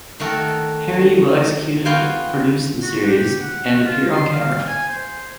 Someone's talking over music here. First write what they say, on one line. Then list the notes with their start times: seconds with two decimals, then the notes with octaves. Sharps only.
Harry will executive produce the series and appear on camera.
0.20 D#3 A3 F#4 A4 A#4
1.85 B3 F4 F#4 F5 G5 G#5
2.82 F#4
3.07 G4
3.40 F#5
3.86 F4
4.11 C6
4.32 F5
4.67 G#5
4.88 C5